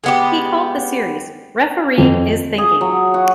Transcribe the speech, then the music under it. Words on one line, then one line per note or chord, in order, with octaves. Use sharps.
He called the series, Refereeing is thinking.
G#3 B3 G4
F2
G#4
F#3
F#4